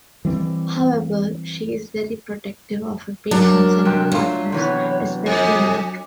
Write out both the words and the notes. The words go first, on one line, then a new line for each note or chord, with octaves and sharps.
However, she is very protective of her patients and her partners, especially Mike.
E3 G3 C4
F#3 D4 A#4
C3 G#3 G5
F#3 A3 F4
C3 E3 B3 C#5
F2 G#5